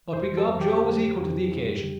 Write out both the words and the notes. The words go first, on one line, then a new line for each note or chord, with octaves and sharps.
But, begob, Joe was equal to the occasion.
F2 C5
A4
F2
G4
D3
F2
G3